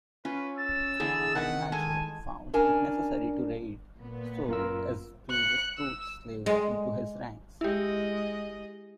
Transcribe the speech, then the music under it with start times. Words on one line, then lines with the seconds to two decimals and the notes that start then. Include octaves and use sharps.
Danmaje found it necessary to raid so as to recruit slaves into his ranks.
0.25 C#4 F4 B4
0.57 E6 A6
1.00 D3 E3 B3 G#4
1.35 D#3 G#4 B4 F#5
1.72 G#3 A4 G#5 A5
2.53 C#4 D4 A#4 G#5
3.99 A#2 B3
4.48 F#2 F4 A#4 E6
5.30 F#6 C#7
5.78 E6
6.46 G#3
7.61 G#3 E4 G4 D#5